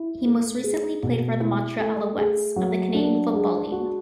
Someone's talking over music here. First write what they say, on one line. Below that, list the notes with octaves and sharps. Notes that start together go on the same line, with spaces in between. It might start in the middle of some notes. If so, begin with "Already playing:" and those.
He most recently played for the Montreal Alouettes of the Canadian Football League.
Already playing: E4
A3
G#4
B2
E4
A3
G#4
F#3
D4
G#3
F#4